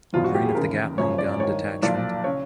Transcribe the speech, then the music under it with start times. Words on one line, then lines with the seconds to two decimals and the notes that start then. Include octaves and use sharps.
Green of the Gatling Gun Detachment.
0.13 F#1 E2 B2 F4
0.24 F#4
0.35 G4
0.45 G#4
0.55 D#2 C#3 E3 A#4
0.98 F#1 F#2 C#3 F3 C#5
1.18 D5
1.40 G#1 G2 D#3 C#5
1.83 B1 A#2 F3 D5
2.24 C#3 C#5